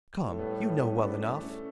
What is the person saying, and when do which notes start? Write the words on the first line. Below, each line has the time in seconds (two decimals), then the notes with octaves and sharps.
"Come, you know well enough."
0.24 A2
0.33 A3
0.39 G3 B3
0.54 G3 B3
0.69 G3 B3
0.83 A3 C#4
1.03 B3 D4
1.22 A3 C#4
1.42 A3 C#4